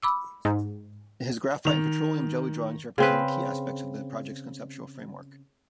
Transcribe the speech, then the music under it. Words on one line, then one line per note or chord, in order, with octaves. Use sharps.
His graphite and petroleum jelly drawings represent key aspects of the project's conceptual framework.
B5 D6 E6
G#2
D#3 F7
C#3 C4 B4